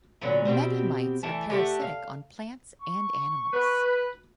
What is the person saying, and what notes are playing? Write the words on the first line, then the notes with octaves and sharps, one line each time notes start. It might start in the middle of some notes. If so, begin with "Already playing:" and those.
Many mites are parasitic on plants and animals.
A#2 D3 F#3 B3
B2 C4 F#4 G4
E3 A3 A5
A3 G4 E5 F#5
F5
C#6
B4